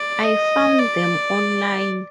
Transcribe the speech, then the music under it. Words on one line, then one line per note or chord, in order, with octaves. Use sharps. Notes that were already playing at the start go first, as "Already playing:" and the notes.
I found them online.
Already playing: D5
D#5
D5